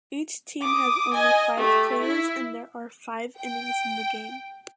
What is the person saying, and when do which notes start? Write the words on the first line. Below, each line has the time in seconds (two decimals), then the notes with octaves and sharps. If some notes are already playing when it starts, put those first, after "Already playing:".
Each team has only five players and there are five innings in the game.
0.61 D6 D#6
1.14 D#5 G#5
1.55 A3 G4
2.00 E4
3.37 G5